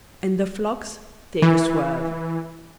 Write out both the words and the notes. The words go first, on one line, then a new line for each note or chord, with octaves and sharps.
And the flocks take a swerve.
E3